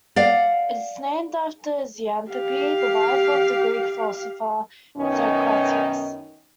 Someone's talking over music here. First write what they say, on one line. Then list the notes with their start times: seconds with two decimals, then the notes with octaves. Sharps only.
It is named after Xanthippe, the wife of the Greek philosopher Socrates.
0.16 D5 F5 F#5
2.30 G4 F5
4.97 F#2 B2 D#3 C#4 D#4